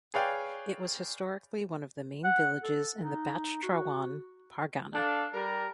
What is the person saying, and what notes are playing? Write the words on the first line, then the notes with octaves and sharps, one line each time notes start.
It was historically one of the main villages in the Bachhrawan pargana.
G#4 B4 C#5 D5 F5 G5
F#5
A4
D#4
F#4
D4 A4 F5
G3 A#4